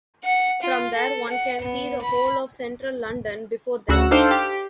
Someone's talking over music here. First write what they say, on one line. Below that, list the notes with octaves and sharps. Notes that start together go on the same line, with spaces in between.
From there one can see the whole of central London before them.
F#5
F4
A4
F#5
B3
B5
D2 C#3 F#4 F#5 E6
D4 D#4 A4 C5 F5 G5
G4